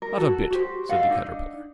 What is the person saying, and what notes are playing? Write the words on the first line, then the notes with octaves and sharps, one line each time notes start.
'Not a bit,' said the Caterpillar.
A#4
F#4 A4
F#4 G4 C5
A4 D#5 F5 F#5
D4 D#4